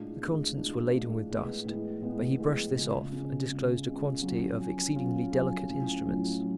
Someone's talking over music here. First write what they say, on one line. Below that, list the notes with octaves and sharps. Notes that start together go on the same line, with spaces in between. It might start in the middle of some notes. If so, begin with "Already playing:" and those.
The contents were laden with dust, but he brushed this off and disclosed a quantity of exceedingly delicate instruments.
Already playing: A2 G#3 D4 F4
A2 G#3 D4 F4
A2 G#3 D4 F4
A2 G#3 D4 F4
A2 G#3 B3
A2 G#3 B3
A2 G#3 B3
A2 G#3 B3
C#3 G#3 C#4 F4
C#3 G#3 C#4 F4
C#3 G#3 C#4 F4
C#3 G#3 C#4 F4
F#3 C#4 F4
F#3 C#4 F4
F#3 C#4 F4
F#3 C#4 F4
A2 F#3 C#4 F4
A2 F#3 C#4 F4
F#3 F4